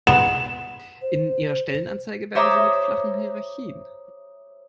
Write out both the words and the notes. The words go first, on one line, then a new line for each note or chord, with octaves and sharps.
In Ihrer Stellenanzeige werben Sie mit flachen Hierarchien.
B3 E7
C5
C5 C#5 E5 A#5 D6 D#6